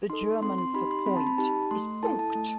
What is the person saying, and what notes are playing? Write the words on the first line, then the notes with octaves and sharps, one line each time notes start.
The German for point is Punkt.
D#4 A4 C6
C4 C6
C6
D#4 G4 B5
C6
C4 B5
A5
B5
D#4 G4 A5
A3 C6
E4 A4 A5
A5
A3